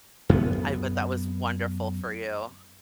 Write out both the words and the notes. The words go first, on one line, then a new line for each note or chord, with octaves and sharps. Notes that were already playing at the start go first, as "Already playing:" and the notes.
I bet that was wonderful for you.
F#2 B3